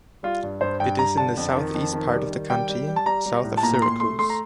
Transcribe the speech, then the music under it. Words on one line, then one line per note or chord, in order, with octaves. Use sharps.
It is in the southeast part of the county, south of Syracuse.
G3 F4
G2
G2 C5
G2 G5
G3 A#5
D3 A5
F2
D#3
F2
D#3
G3
D#3
G3 G5
G3
G3
A5
G3 A#5
G3
A2
A5
A#2 A#5
A#5
A#2 C6
A3 C6
A3 C6
A#5